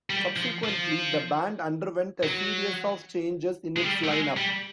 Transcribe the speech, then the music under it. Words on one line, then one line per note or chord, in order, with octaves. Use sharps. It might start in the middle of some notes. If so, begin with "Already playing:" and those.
Subsequently, the band underwent a series of changes in its line-up.
G3
F3
F3
F#3
G#3
G3
A3
G#3
G3